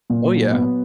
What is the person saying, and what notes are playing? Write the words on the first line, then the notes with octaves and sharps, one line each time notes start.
Oh, yeah.
A#2
F#3
B3